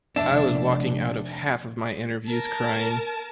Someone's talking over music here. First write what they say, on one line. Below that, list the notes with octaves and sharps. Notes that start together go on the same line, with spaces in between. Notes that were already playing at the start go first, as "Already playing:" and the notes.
I was walking out of half my interviews crying.
F1 D4 D5 E5
A#4 A5